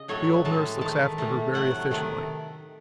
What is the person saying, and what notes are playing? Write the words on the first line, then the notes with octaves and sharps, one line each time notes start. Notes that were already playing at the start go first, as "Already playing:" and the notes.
The old nurse looks after her very efficiently.
Already playing: C#3 D#5
A2 F#3 A3 C#5
A2 E3 G#3 A5
D#3 A3 A5
A2 E3 A3
C3 F#3 A3 F#5
C3 D#3 A3